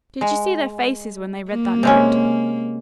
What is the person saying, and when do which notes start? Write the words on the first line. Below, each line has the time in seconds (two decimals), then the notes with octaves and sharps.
"Did you see their faces when they read that note?"
0.21 G#3
1.50 A#3
1.83 C3 G#3 C#4